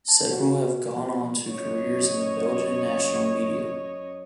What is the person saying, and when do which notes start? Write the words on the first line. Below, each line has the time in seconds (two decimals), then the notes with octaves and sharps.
Several have gone on to careers in the Belgian national media.
0.08 A5
0.32 F#4
0.96 F3
1.48 F#2 C#5 D#5